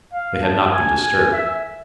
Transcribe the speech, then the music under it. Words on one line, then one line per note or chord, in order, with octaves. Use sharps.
They had not been disturbed.
F5
A5
G#5
G#5
E5